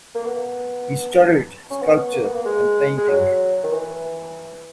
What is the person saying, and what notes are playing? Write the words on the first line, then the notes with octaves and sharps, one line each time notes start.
He studied sculpture and painting.
A#3
B3
C#4
B3
A#3
B3
A#3
G#3
G#3
F#3
D#3
E3